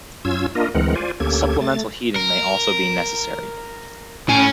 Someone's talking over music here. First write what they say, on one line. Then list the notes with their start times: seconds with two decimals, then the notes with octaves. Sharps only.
Supplemental heating may also be necessary.
0.25 F#2 C#4 F4 E6 G#6
0.55 A#3 D4 F4 A#4 D#5
0.74 D2 E3 G#3 C4 A#4 F#5
0.95 F4 C5 D5 G#5
1.20 D2 A#3 C#4 G4 A4 G#6
1.61 A3 A6
2.16 A#4
4.29 A2 C#4 G#5